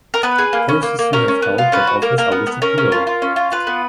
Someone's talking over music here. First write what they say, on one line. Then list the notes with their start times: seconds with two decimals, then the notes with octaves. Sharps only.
Persons who have held that office are listed below.
0.14 A#4
0.23 B3 B4
0.38 G#4
0.53 A#3
0.69 C#4
0.83 A#3
0.99 A#3
1.13 C#4 A#4
1.28 C#4
1.42 B3
1.58 F4
1.72 C#4 B4
1.87 F#4
2.02 A#3 A#4
2.18 A#3 A#4
2.32 B3
2.47 B3
2.62 C#4 A#4
2.78 C#4
2.92 F4
3.07 F4
3.22 C#4
3.36 F4
3.52 F4 B4
3.67 B3